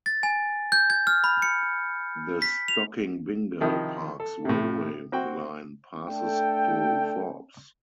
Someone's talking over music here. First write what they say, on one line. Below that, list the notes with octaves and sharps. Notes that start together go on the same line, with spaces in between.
The Stockinbingal-Parkes railway line passes through Forbes.
A6
G#5
G6
G#6
F6
B5
C#7
B6
F7
C3 D#3 F3 D#4 E4
A4
A2 C3
C4 F#4 G5
A3 D4 A4 G5